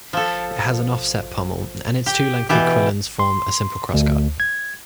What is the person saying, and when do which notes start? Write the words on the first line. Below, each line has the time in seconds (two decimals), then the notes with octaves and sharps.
It has an offset pommel, and its two lengthy quillons form a simple crossguard.
0.13 F3 A4
2.06 G4
2.49 B2 E3 G4
3.19 C6
3.94 D2
4.40 G#6